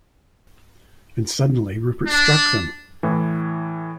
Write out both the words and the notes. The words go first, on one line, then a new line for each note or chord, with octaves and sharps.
And suddenly Rupert struck them.
D4
A2 E3